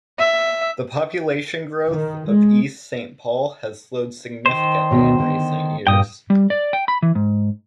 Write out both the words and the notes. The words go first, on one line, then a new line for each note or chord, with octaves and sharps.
The population growth of East Saint Paul has slowed significantly in recent years.
E5
D#3
G#3
D#3 C5
D2 B2 C#5
D3
G2 A#2 G5 D#6
G3
D5
G5
B5
E3
G#2